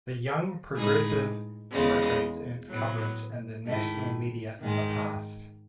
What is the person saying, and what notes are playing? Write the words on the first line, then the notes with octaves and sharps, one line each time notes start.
The Young Progressive Democrats earned coverage in the national media in the past.
A2 G#3 D#4 G#4 B4
E2 C#3 G#3 B3
A2 F#3 B3
G#2 D#3 A3 E4
G#2 D#3 G#3